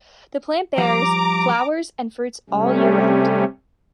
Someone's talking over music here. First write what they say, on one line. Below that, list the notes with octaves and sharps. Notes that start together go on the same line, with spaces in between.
The plant bears flowers and fruits all year round.
F3 G3 F5 A#5 D6
C3 G3 A3 C#4